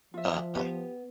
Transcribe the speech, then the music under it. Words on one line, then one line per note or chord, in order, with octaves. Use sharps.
uh, um,
F3 F4 E5
B3 G4